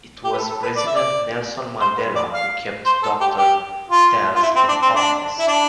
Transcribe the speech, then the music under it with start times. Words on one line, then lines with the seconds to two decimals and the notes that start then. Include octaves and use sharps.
It was President Nelson Mandela who kept Doctor Stals in office.
0.24 G4
0.33 B4
0.37 A4
0.50 A4
0.63 B4
0.76 D5
0.86 E5
0.96 D5
1.80 C5
1.98 B4
2.16 D5
2.33 F5
2.85 C5
3.03 A4
3.21 G4
3.37 G4
3.90 F4
4.35 F4
4.43 E4
4.56 C4
4.69 D4
4.82 C4
4.95 D4
5.39 E4
5.47 D4